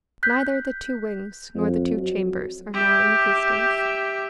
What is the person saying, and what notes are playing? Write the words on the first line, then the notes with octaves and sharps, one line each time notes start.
Neither the two wings nor the two chambers are now in existence.
F#6 G6 B6
F2
F#3
G4 E5